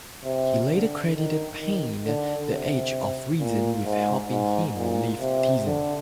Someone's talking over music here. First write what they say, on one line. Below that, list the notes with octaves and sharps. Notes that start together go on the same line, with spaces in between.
He later credited Paine's "The Age of Reason" with helping him leave theism.
C3
D3
D#3
D#3
D3
C3
A#2
G#2
G#2
A#2
C3
D3